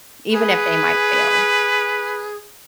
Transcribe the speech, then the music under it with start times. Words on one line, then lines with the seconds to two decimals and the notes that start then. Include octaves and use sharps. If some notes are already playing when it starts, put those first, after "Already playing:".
even if they might fail.
0.32 G#4 B4